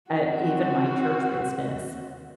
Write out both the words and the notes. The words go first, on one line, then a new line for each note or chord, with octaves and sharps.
uh, even my church business.
C4 F#4